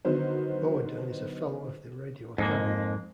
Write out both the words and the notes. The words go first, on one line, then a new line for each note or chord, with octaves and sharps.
Boaden is a Fellow of The Radio Academy.
D3 D#3 F#3 B3 C5
F2 G#2 G#3 A#3